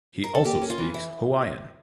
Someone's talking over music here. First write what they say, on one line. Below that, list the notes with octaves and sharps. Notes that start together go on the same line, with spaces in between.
He also speaks Hawaiian.
A#4
A4
A#3 G4
C#4
F4
E3
E4